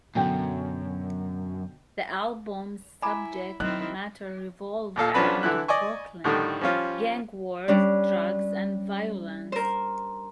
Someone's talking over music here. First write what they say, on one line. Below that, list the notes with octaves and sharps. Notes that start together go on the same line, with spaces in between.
The album's subject matter revolved around Brooklyn, gang-wars, drugs, and violence.
F#2 B2 D3 G5
E4 G#5 A#5 B5 D6
D#3 F#3 C4 E4 F#6
D#2 A#2 A4 F5
B1 F3 C#4 D4 B4 B5
D3 E3 E4 F#6
D5 D#5 G#5 C#6
A2 D3 D#3 G3
F3 G3 C#4 F4
G3 C#4 D4
A#4 C5